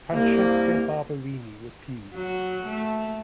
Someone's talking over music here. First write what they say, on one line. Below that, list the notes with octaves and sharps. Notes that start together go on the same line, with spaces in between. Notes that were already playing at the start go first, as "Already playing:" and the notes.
Francesco Barberini refused.
C2 A#3
F#3 F#4
A3